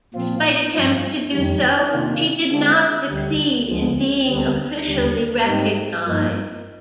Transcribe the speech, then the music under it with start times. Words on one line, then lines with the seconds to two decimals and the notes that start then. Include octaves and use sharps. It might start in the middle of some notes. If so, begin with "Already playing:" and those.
Despite attempts to do so, she did not succeed in being officially recognized.
0.14 A#2 F3 C4 F4
0.74 G2 F3 C4 F4
1.33 F2 D#3 G3
1.92 C3 D#3 A#3 D4 F4
2.51 D3 G#3 C4 F4
3.09 D2 D3 G3
3.69 D2 D3 F3 G#3
4.28 D2 D3 G3 C4
4.87 D#2 D3 G3 D4
5.45 G#2 G3 C4 D#4
6.05 G2 F3 A#3 D#4